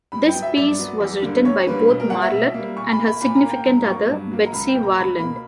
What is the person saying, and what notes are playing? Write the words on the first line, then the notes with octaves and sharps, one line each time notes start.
This piece was written by both Marlatt and her significant other, Betsy Warland.
G2 B5
G5
F#3 B3
E5
G2 D5
F#3 B3
E2
D3 G3 A#3
E2 C#5
D3 G3 A#3 B4
B2
A#4
G3 A#3 F#5
E5
B2
A#3
G3
A#2 C#6
B5
A#3
B5
A#2 B5
A#5
A#3
G5
G2 A#5
F#3 A#3 C#6
G2
F#3 A#3
A#5
C#2 B5
G5
B2 A#3
A#5
C#2 B5
B2 A#3 B5